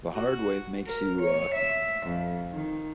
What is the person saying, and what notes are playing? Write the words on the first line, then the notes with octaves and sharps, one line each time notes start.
the hard way makes you, uh,
F#4
A#4
C#5
E5
F2
D#3